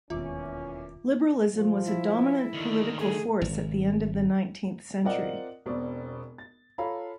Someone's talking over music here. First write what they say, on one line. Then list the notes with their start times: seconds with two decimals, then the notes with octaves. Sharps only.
Liberalism was a dominant political force at the end of the nineteenth century.
0.10 E1 D#2 A#2 E3 C#4 F4 E5 D6
1.53 F3
1.86 E4
2.53 D3 D#3
2.99 A3 G#4
3.41 G#1
5.04 C4 F4 A#4 D5 D#5 F#5
5.66 E1 B2 C4 D5
6.38 A6
6.78 F4 A4 C#5 F5 A#5 B5